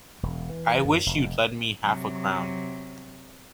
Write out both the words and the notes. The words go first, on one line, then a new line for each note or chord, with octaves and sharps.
I wish you'd lend me half a crown.
E1
E3
F#2
F1
C3 F#3